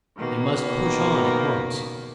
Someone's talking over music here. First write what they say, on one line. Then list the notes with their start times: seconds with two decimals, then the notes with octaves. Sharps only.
They must push on at once.
0.18 B2 D#3 A#3